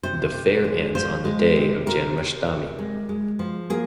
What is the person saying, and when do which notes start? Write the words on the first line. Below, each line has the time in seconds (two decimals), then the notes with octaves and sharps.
The fair ends on the day of Janmashthami.
0.03 C3 C5
0.34 C3
0.64 G#3
0.95 F3 C5
1.25 G#3
1.56 C3
1.86 C3 A#4
2.18 C3
2.47 C3
2.79 G#3
3.09 G#3
3.39 F3
3.70 A#3 G#4